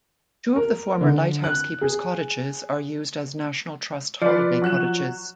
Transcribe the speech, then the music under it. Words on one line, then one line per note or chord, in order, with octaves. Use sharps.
Two of the former lighthouse keepers' cottages are used as National Trust holiday cottages.
A#4
D3
F#6
G#4
F3 B4 D5
F#3 F#6 E7